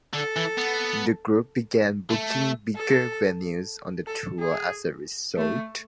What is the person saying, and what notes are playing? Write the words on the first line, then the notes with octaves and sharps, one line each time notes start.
The group began booking bigger venues on the tour as a result.
D3 A4
E3
B3
A3
A4
A4
G#4
A3